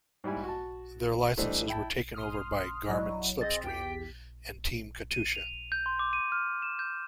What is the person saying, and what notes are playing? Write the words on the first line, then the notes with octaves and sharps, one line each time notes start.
Their licenses were taken over by Garmin-Slipstream and Team Katusha.
G#2 G3 E4 G#5
F#4 A5
E3 G3 A3 D4 C5 D#5
E4 G5 A5
C6 D#6 F6
F#3 E4 D5 D#5
C4 G#4 D#5 A6
E2 G4 G5 B6
D#7
F7
G6
C6
D6
D#7
F6
E7
G6